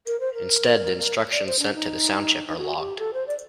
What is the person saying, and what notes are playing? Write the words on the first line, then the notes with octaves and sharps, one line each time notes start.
Instead, the instructions sent to the sound chip are logged.
A#4
C5
A#4
D5
C5
D4
D#4
D#4
F#4
G4
A4
C5
D5